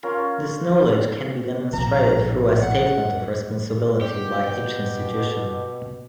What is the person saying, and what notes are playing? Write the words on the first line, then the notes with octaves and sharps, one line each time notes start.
This knowledge can be demonstrated through a statement of responsibility by each institution.
C#4 F4 A#4
A#1 A2 C3 A#5
F#5
B2 G4